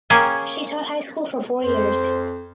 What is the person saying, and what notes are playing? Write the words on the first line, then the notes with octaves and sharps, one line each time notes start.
She taught high school for four years.
A#3 C#4 G#4 C#5 G5 G#5
F2 C5